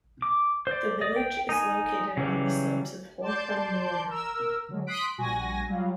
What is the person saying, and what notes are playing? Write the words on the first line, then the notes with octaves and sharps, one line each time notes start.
The village is located on the slopes of Holcombe Moor.
D6
C5 D5
D5 D#5
G5
D#4 G#5
C#3 E3 F#3 G3
D5 A5 C6 G6
A#4 E6
D3 F#3 G#3
C6 D#6 F#6 B6 D7
A#1 G3 F#4 G#5 A#6
F#3 G3 F4